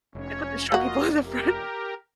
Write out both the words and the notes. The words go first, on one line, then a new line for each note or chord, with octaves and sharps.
They put the short people in the front.
F1 C#4 C#5
A#3 F4 F#4 D#5
G4 A#4